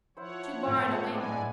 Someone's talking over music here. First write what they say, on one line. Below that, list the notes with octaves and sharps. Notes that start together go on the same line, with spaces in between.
Two bar and a wing.
F3 E4 C5 C#5 F#5
A2
G#3 B3 D4 E4 D5 G#5